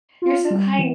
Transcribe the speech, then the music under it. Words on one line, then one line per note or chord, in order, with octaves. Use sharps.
You're so kind.
F4
G3
E3